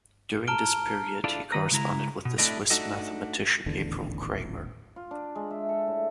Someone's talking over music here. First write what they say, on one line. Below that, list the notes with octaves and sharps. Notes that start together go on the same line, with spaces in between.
During this period he corresponded with the Swiss mathematician Gabriel Cramer.
A5 A#5 F6 D7 G7
D4 E4 F4 A4
D#3 G#3 B4 A#5
C#3 G#3 E4 A#5
B2
A3 C4 D4 E4 D#5
A3 D4 D#4 F#4 A4 D#5
D#1 A1 E2 D3
F4
D4
G#3
E5
A4
A2